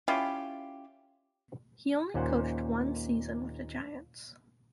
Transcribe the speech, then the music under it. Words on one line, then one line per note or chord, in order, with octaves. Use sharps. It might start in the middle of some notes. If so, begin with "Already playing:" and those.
He only coached one season with the Giants.
C#4 E4 F4 G4
D#2 A#2 C#4 C5 F#5